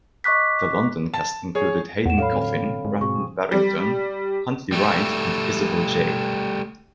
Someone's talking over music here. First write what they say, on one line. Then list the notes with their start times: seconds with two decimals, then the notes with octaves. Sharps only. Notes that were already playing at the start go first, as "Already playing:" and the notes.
The London cast included Hayden Coffin, Rutland Barrington, Huntley Wright and Isabel Jay.
0.24 D#5 C#6 D6 F#6 B6
1.14 A5
1.55 G#4 C#5
2.06 E2 A2 F#5 E7
2.18 F#3 A4 C#5 F5 B5
2.33 D3 C4
2.85 G#2
3.01 B2 C4 F#4 G#4 C#6
3.52 G3
4.72 G3 A3